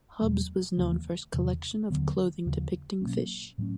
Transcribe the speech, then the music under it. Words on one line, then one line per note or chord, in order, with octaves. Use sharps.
Hubbs was known for his collection of clothing depicting fish.
E2 B2 F#3 A3
D#2 C#3 E3 A3
E2 C3 D#3
D#2 D3 F#3 B3
D#2 C#3 F3
B2 F#3 A#3 C#4
A2 F#3 A3 C#4